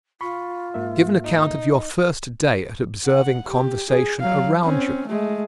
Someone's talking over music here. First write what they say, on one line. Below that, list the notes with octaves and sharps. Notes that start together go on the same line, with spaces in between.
Give an account of your first day at observing conversation around you.
F4 B5 C#6
G#2 A#3 E5
D#4
F#5
G4
G#4
F#3 F5
C4 C#4
G#3 A3